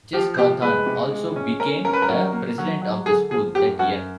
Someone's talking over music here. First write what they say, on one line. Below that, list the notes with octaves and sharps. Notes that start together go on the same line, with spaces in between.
Jess Cauthorn also became the President of the school that year.
F3 G4
C3 G4
G#3 B4
C3
G#3
C#4
C#4 A#4
C#4 A#4
B4
A#4
F#3
A#3
F#3
F#3
D3 G#4
F3 G#4
F#2 G4
F#2 F#4